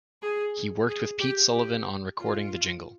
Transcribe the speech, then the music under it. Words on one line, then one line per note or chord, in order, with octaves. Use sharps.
He worked with Pete Sullivan on recording the jingle.
G#4
G#4
G4
G4
F4